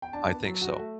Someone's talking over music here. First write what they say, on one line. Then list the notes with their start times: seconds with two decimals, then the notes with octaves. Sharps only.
I think so.
0.02 G5
0.13 D4 A5
0.29 B3
0.45 F#3
0.61 F#4
0.77 A3